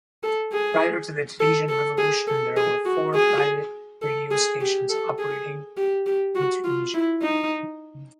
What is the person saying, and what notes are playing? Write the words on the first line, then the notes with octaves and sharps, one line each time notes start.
Prior to the Tunisian revolution there were four private radio stations operating in Tunisia.
A4
G#4
A4
A4
G#4
A4
G#4
F#4
G#4
A4
G#4
G4
A4
G#4
G4
G4
F#4
F4
E4
D#4